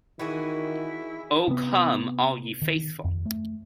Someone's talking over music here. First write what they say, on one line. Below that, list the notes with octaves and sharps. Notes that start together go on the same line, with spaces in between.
Oh come all ye faithful.
D#3 E3 E4 F#4 G#4
C3 B3
D#3
F2
A3